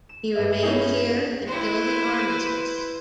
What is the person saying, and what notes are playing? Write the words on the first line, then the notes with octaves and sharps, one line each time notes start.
He remained here until the Armistice.
E7
G2 E5
C#4 D#4 E4 G#4
E4 B4 C5